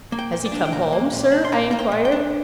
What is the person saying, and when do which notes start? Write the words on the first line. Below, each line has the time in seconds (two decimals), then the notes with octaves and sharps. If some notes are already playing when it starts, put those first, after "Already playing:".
'Has he come home, sir?' I inquired.
0.12 A#3
0.19 G5
0.32 A#2
0.46 D5
0.52 D4
0.65 G5
0.72 A#2 A#5
0.93 A#3
1.12 A#2
1.32 D4
1.45 C6
1.52 A#2 A#5
1.71 A#3 A#5
1.79 G5
1.92 A#2
2.05 G5
2.12 D4